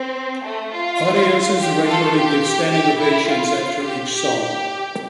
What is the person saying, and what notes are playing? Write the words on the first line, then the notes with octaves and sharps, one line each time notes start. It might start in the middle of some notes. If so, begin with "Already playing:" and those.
Audiences regularly give standing ovations after each song.
Already playing: C4
A3
F4
G4
F4 A4
G4
G4
E4
F4
G4
G4
G4